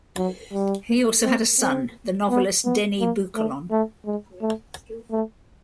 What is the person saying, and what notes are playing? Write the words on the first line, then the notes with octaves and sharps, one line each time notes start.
He also had a son, the novelist Denis Boucolon.
F#3
G3
C4
C4
B3
B3
A#3
A3
A3
G#3
A3
A3